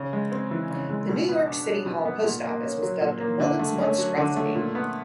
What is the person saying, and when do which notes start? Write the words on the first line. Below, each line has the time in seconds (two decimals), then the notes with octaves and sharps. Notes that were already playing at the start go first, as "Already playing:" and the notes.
The New York City Hall Post Office was dubbed Mullett's monstrosity.
Already playing: C#3
0.13 G#3
0.32 C4
0.51 E3
0.71 C#3
0.90 G#3
1.09 B2
1.29 B3
1.47 D4
1.67 F#3
1.86 B2
2.05 B3
2.24 A#2
2.44 A#3
2.63 C#4
2.82 F#3
3.01 A#2
3.20 A#3
3.40 D3
3.59 A3
3.78 C#4
3.98 F#3
4.18 D3
4.36 A3
4.55 A#2
4.75 B3